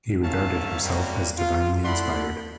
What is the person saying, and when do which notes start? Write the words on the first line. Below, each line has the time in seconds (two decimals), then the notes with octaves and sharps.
He regarded himself as divinely inspired.
0.22 G#2 D#3 C#4 E5 F5 A5
0.84 C3 F#3 G3 A#3 C#4 F#4
1.37 F4
1.84 A3 E4 D5 F#5 B5 C6